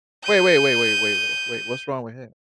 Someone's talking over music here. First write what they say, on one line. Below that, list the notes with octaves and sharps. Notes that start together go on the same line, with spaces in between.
Wait, wait, wait, wait, wait, wait, wait, what's wrong with him?
G6 D#7